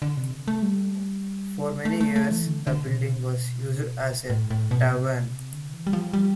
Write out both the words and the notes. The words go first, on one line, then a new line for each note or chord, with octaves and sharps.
For many years the building was used as a tavern.
D3
C3
A3
G3
A3
A3
A3
E3
D3
D3
B2
A2
A2
B2
C3
B2
C3
D3
E3
G3
F3
G3